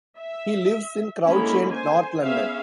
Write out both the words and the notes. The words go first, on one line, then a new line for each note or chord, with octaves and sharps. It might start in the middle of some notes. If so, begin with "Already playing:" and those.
He lives in Crouch End, North London.
E5
D3 G#3 A#3 C#4 E4 B5
C5 G#5
B3 C#4 G#4 E5 F5